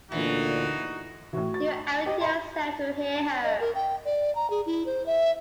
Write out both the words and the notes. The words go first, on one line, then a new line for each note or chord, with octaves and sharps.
You owe it to yourself to hear her.
D2 A#2 D3 E3 D#4 F#4
A2 E3 F#4
A6
G4 D#5
D#5 B5 C6
D#5
A#4
G5
D5
A#5
G#4
E4
C5
E5